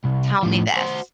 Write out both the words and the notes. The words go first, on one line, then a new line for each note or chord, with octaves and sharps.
tell me this."
C2
A2 F3
F#4 C5